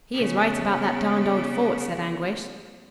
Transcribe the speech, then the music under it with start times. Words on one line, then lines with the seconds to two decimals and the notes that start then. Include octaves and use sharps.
"He is right about that darned old fort," said Anguish.
0.14 C#3 B3